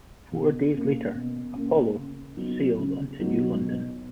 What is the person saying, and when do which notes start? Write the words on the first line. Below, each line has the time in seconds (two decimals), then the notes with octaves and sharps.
Four days later, "Apollo" sailed on to New London.
0.32 B2
0.73 A#3 C#4
1.14 B2
1.55 A#3 C#4
1.97 C#3
2.37 F#3 B3 D#4 F#4
2.78 C#3
3.20 F#3 B3 D#4 F#4
3.61 B2